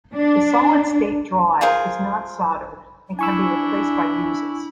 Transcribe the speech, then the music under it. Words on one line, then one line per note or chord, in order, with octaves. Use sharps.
The solid state drive is not soldered and can be replaced by users.
D4
F4 G#4 A#4 C5
D4 E4 G#5 C#6 E6